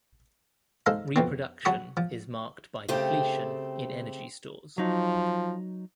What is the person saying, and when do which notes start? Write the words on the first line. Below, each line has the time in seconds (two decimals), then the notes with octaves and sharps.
Reproduction is marked by depletion in energy stores.
0.86 G#3 D#4 A4 C5 F5
1.16 F2 B2 C4
1.65 F#3 F#4 F#5 A5 B5 C#6
1.97 F3
2.88 C#3 A3 C4 G4
4.78 F3 F#3 D#4